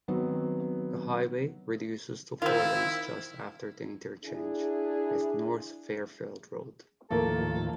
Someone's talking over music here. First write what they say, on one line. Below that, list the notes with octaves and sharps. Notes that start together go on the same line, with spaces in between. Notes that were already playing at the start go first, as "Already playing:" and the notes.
The highway reduces to four lanes just after the interchange with North Fairfield Road.
D#3 F#3 B3 C4 F#4
D#3 C4 E4 F4
D4 E4 G#4
D#2 A2 F3 A3 A#3 A4 A#4